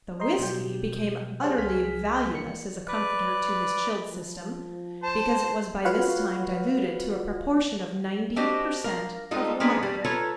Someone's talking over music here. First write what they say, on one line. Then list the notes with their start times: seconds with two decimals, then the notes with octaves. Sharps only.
The whiskey became utterly valueless as a comforter to his chilled system, because it was by this time diluted to a proportion of ninety per cent of water.
0.20 C5 D#5 A#5 C6
0.39 B2 F#3 G3 G4 G6
1.41 G4 G#4 C5 C#5 F5 F#5
1.58 C2 G#4 G#5 F6 B6
2.33 E3 A#3 C#7
2.88 B4 D5
4.11 F3
5.03 C5 A5
5.85 F4 F#4 B4 C#5 F5 F#5
8.36 C4 D4 F#4 G4 C5 D#5
8.84 A#4 F5
9.31 G3 G#3 D#4 F4 A4
9.60 A#3 B3 C#4 D4 G#4 B4
9.83 G3
10.04 F4 A4 B4 C#5 A#5